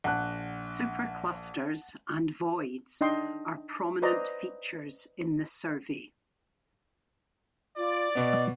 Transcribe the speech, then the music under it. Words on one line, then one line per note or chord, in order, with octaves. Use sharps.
Superclusters and voids are prominent features in the survey.
A#1 F#5 A5 F#6
D4 D#4 D#5 G5 C6
B4 C5 D5 D#5 A#5
F4 D5
B2 B3 D#5